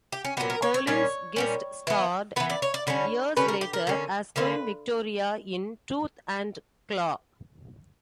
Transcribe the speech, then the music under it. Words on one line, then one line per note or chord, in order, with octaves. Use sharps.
Collins guest-starred, years later, as Queen Victoria in "Tooth and Claw".
G4
C#4
A#2 F#3 B3 G4
A#4
C#5
C#5
A#2 G3 C#4 C#5
A#2 G3 C#4
E3 B3
E3 B3 B4
D5
C#5
D5
D3 G3 C#4 C#5
D3 G3 C#4 B4
A#4
G4
A#4
D3 A#3 C#4
D3 A#3 C#4 B4